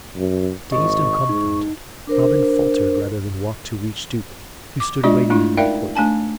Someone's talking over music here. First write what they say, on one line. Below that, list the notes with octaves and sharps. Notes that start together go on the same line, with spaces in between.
Dazed and confounded, Robin faltered rather than walked to reach Stuteley, who stood awaiting him in the courtyard.
F#2
G#1 D#5 C#6
G#2 D#4
D4 A#4 C5
D6
G#3 D4 F4 D5 D#5
A3 D4 E4 F4
D#4 A#4 D5 E5 F5 G5
A3 D4 G#5 A5